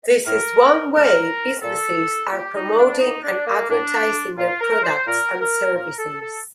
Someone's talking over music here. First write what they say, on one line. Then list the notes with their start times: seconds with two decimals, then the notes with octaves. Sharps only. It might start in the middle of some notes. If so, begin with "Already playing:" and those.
This is one way businesses are promoting and advertising their products and services.
0.26 A2 A#4
0.94 A2 A#4
1.62 A#2 A4
2.32 A#2 G4
2.54 D#4
2.77 D4
3.00 A2 D#4
3.23 D4
3.46 A#3
3.69 A2 D4
4.37 A#2 F4
4.60 A#4
4.83 C5
5.06 A#2 A#4
5.40 A#4
5.74 A#2 A#4
5.97 A4
6.21 A4